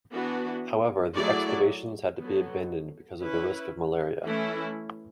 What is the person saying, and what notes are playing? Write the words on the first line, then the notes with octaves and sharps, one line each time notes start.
However, the excavations had to be abandoned because of the risk of malaria.
E3 B3 D4 F#4 B4
F#3 A3 E4 G#4 D5
D3 F#3 B3
C#4 E4 B4
E3 A3 C#4 E4